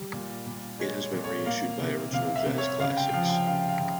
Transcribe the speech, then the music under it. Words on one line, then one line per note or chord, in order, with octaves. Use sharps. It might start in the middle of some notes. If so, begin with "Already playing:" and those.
It has been reissued by Original Jazz Classics.
Already playing: G3
A#2
A#2
G#3 C#5
C#5
A#2
C#5
A#3 F5
C3
C3 F5
E5
C3
C#5
C#3 F5
G5
F3 F5
G5
C#3 F5
F5
C#3